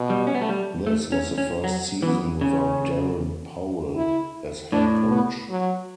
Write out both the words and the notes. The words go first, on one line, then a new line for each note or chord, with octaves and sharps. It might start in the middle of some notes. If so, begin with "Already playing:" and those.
This was the first season without Darren Powell as head coach.
Already playing: B2
G3
C#4
B3
A3
G3
A3
C#4
C#4
F#3
E3 B3
C#3 C#4
E4
A2 D4
B3
F#3